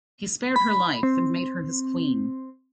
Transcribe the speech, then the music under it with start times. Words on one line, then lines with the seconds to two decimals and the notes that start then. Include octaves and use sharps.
He spared her life, and made her his queen.
0.56 B5
1.03 C4